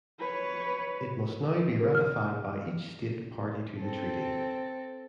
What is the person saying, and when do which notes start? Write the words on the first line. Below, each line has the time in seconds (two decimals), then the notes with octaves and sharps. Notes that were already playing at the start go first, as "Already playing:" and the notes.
It must now be ratified by each state party to the treaty.
0.19 B4 C#5
1.80 A#4
1.95 F6
3.79 C4 A4